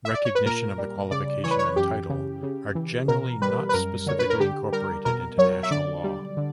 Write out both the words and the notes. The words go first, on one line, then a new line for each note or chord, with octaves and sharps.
Recognition of the qualification and title are generally not specifically incorporated into national law.
E5
D5
C#5
B4
A#2 A#4
G3
C#3 D5
E3 C#5
B4
C#5
F#2 G4
C#3
C#3
E3
B2 A#4
G3 B4
B4
F#2 A#4
D3 C#5
B4
A#4
D3 G4
G3 A#4
B2 A#4
F#3 C#5
E5
D3 D5
G3
D3